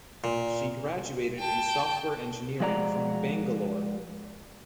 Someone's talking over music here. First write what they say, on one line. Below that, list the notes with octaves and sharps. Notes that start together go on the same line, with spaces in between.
She graduated in software engineering from Bangalore.
A#2
G5 A5
F3 G#3 F#4 D5 E5 A#5